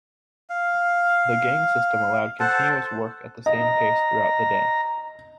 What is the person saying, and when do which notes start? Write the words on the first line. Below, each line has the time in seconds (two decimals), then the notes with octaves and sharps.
The gang system allowed continuous work at the same pace throughout the day.
0.50 F5
2.40 A4 C5 F#5 A5
3.46 D#5 A#5